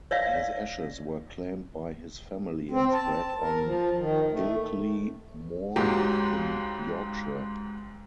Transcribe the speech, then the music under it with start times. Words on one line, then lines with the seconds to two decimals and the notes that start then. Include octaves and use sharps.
His ashes were claimed by his family and spread on Ilkley Moor in Yorkshire.
0.11 C#5 D5 E5 F5
2.71 C4
2.93 A5
3.41 A#4
3.64 F3
3.98 D#3
4.31 A3
5.76 C#2 G#2 F#3 G#3 G4